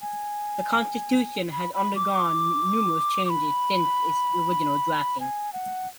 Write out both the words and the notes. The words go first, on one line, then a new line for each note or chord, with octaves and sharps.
The constitution has undergone numerous changes since its original drafting.
G#5
B5
B5
D6
D6
B5
G#5
F#5